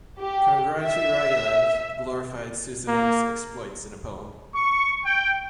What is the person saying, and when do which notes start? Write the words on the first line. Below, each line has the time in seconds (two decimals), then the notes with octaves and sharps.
Kondraty Ryleyev glorified Susanin's exploits in a poem.
0.19 G4
0.83 E5
2.88 A#3
4.54 C#6
5.04 G5